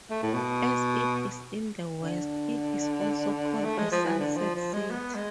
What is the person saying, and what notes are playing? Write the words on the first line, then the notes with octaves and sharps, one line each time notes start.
As it is in the west, it is also called the "sunset city".
A3
A2
B2
D3
A3
G#3
F3
E3
D3
F3
F3
G#3
B3
G#3